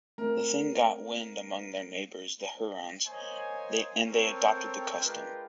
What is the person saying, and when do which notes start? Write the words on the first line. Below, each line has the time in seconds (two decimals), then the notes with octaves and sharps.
The thing got wind among their neighbors the Hurons, and they adopted the custom.
0.18 A3 C4 A#4
3.07 A#3 C5 C#5 D#5 G#5
4.07 C4 A4 A#4 C#5 G5
5.01 G#3 D4 F4 A#4 B4 G5